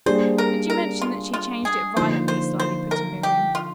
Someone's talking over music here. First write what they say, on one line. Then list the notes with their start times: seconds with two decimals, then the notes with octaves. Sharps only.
"Did you mention that she changed it violently?" slyly put in Miriam.
0.06 G3 A#3 D4 G#4 C5
0.38 A#4
0.70 A#4
1.01 F4
1.34 F4
1.65 G#4
1.96 D3 F3 A#3 D#4 C5
2.28 C5
2.60 C5
2.91 A#4
3.23 G4
3.55 F4